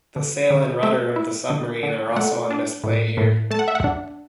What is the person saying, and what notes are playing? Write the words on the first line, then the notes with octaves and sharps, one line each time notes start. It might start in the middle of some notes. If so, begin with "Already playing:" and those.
The sail and rudder of the submarine are also on display here.
D3
D3
A3 E5
E4
D3
D3
A3 F#5
D4
A2
A2
A3 A5
F#5
E5
F#5
D4